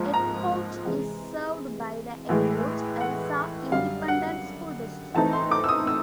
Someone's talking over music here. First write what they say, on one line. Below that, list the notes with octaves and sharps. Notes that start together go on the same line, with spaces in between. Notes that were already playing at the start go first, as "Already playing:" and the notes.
Edcouch is served by the Edcouch-Elsa Independent School District.
Already playing: G#2 F3 A#3
A#5
C3 E3 G#3
A2 E3 G#3
F#5
F#2 D3 G3 F5
F#5
E3 A3 C4 D#4 A5
C6
D6
E6
D#6
E6